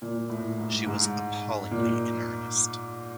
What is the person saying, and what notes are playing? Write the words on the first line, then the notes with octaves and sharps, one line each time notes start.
She was appallingly in earnest.
A#2
A2
G#2
G#2
A#2